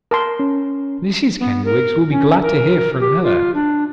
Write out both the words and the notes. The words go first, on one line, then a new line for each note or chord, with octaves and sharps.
Mrs Kenwigs will be glad to hear from her.
A#4 A5 C6
C#4
B3
A#4
C#4
A#4
G4
F4
D4